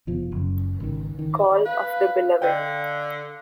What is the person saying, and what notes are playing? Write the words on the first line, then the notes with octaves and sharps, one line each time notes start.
Call of the Beloved.
F1 B2 F3
F#1 F#2
G#1 C#2 C3 D#3
D#3
B4 F5
D3 D5 D#5 G5